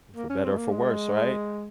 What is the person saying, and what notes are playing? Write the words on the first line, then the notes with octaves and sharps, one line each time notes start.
For better or for worse, right.
A#3
C#4
C4
G#3
A#3
G#3